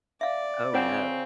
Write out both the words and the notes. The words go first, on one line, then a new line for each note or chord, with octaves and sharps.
Oh, no.
D5 E5 F5
C#3 C4 F4 C5 F#5